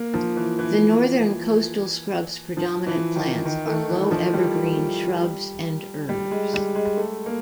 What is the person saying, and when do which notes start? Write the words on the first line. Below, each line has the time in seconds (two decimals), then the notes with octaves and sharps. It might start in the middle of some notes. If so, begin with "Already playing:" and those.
The Northern coastal scrub's predominant plants are low evergreen shrubs and herbs.
Already playing: A#3
0.14 F3
0.36 E3
0.59 E3
2.57 F3
2.87 E3
3.16 D#3
3.45 D#3
3.67 A3
3.89 E3
4.11 F3
4.34 G3
6.09 G3
6.31 G#3
6.54 G3
6.75 G#3
6.97 A3
7.26 A#3